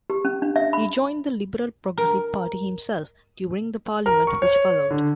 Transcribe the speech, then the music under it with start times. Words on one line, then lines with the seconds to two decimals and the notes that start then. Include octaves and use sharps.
He joined the Liberal-Progressive Party himself during the parliament which followed.
0.10 G4
0.25 C#4
0.42 D4
0.56 E5
0.73 B5
1.98 A#4
4.06 A#4
4.27 C#6
4.42 C#5
4.91 D3